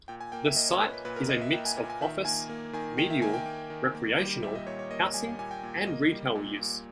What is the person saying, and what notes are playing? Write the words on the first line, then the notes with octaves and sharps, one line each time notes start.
The site is a mix of office, medial, recreational, housing and retail use.
A#2 G5
G#5
A#3 G5
E5
A#3 D#5
C#5
A#2 B4
B4
A#2 B4
A#4
A#3 D#5
E5
A#3 G5
G#5
A#2 G#5
G#5
D#3 E5
A#3 G#5
A#3
D#3 G#5
D#3 G5
E5
A#3 G#5
G5
A#3
D#3
A#3
G3
A#2 E5
D#5
A#2 C#5
C#5
A#3 D#5
G3 G#5
A#2 G#5
G5
A#2
A#3 D#5
G3
A#2
A#2